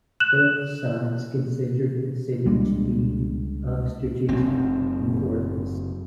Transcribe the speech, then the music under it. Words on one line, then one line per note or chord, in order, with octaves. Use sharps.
Both sides considered the city to be of strategic importance.
F#6 E7 F#7
C#2 G3 G#3 D4
F#1 C4